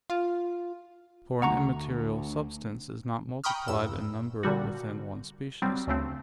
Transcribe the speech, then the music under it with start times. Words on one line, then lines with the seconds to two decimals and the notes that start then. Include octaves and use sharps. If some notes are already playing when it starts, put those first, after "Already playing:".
For an immaterial substance is not multiplied in number within one species.
0.10 F4
1.42 D2 F#5 A#5 C#6
3.44 G5 A#5 B5 C#6 D#6 F6
3.68 E2 G2 E6
4.43 A#2 D3 G3 F#4
5.62 F#3 G3 C4
5.87 D2 C#3 A3 C4